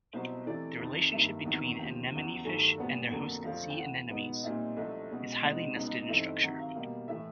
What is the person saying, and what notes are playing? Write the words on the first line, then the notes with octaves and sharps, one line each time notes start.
The relationship between anemonefish and their host sea anemones is highly nested in structure.
C2 B2 F#3 C5
C3 E3 A3 D5
F2 C3 D#3
G2 D#3 G3 A#3 E5
E2 C3 D#3 F#3
D#2 C#3 F3 G5
E2 C#3 F#3
G2 D#3 F#3 A3 G#5
A#2 G3 B3 D4 F#5
F2 D3 F#3 A#3 D4
F2 C3 F3 A3 D4 F5
G5
D2 C#3 E3 F#5
B2 G#3 B3 D#4
A#2 G3 C4 D#4 E5
C2 C3 F3 A3 C#4 D#5
B2 G#3 C#4
B2 G#3 C4 D#4 D5
C#2 C#3 F#3 B3 D#4
G2 E3 A3 C4 D#4 E5
C3 D#3 F#3 F#5
F5
B2 G3 A#3 F5
A2 E3 A3 E5